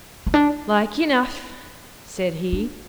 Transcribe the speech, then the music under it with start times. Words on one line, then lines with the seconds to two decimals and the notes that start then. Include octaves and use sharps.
"Like enough," said he.
0.27 B3
0.34 D4
2.53 D4